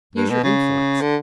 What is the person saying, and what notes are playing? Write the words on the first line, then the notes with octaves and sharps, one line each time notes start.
Use your influence.
G2
B2
C#3
D3